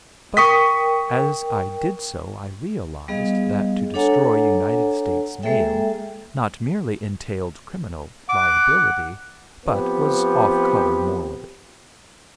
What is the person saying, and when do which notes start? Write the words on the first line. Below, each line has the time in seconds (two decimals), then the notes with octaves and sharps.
But as I did so I realized that to destroy United States mail not merely entailed criminal liability, but was off color morally.
0.37 A#4 G5 C#6 D#6 B6
3.08 G3 B3 G#4 D#5 F5
3.94 D4 A4 C#5 F#5 G#5 A#5
5.43 G#3 A#3 G#4 A4 E5 G5
8.29 F#5 D6
9.67 F3 B3 C4 G4